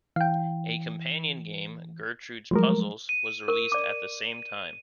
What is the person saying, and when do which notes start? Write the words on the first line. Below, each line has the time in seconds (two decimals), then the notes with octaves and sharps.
A companion game, "Gertrude's Puzzles" was released at the same time.
0.16 E3 F5 G5
2.51 F3 F#3 G#3 A3 A#4
3.09 D#7
3.48 A#4 C#6
3.72 D5 D6